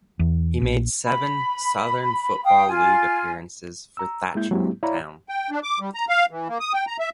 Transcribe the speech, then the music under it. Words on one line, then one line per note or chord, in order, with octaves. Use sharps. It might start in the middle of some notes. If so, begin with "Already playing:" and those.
He made seven Southern Football League appearances for Thatcham Town.
E2
A#1
B5
F5 G5 D#6
F4 G#5
A#5 E6
G#3 A#3 E4 G6
F#3 G#3 A#3 C4 E4 G4
E4 C#5 D5 F5 A#5 B5
G5
D4
D6
G3
A#5
F5
E3
A#3
D#6
G5
A#5
E5